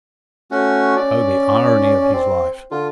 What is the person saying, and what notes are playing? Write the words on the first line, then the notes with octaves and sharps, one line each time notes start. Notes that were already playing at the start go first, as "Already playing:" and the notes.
Oh, the irony of his life!
A3 C#4 F#4
C#4 D5
C4
D3 F4